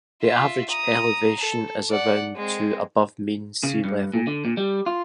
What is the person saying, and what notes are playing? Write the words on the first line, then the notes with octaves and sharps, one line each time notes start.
The average elevation is around to above mean sea level.
F4 E5
A#5 D#6
A4
D5 F#5
G#3 C4
C#3
G2
A#2
D3
A#2
G3
F4